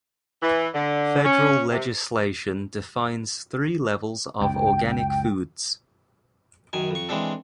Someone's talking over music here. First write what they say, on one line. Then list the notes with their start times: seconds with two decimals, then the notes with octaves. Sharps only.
Federal legislation defines three levels of organic foods.
0.42 E3
0.74 D3
1.25 C#4
1.71 C3
4.41 C#2 F#2 G5
6.73 F#2 D#3 G#5
6.91 F2 C#6
7.09 E3 G#3 C4 D4 A4